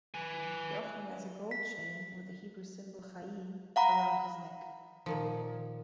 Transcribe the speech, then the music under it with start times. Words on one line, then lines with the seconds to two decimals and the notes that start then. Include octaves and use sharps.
He often wears a gold chain with the Hebrew symbol 'chai' around his neck.
0.14 B4 G#5
1.51 B6
3.76 F5 F#5 A#5 B5
5.06 A#2 D#3 F3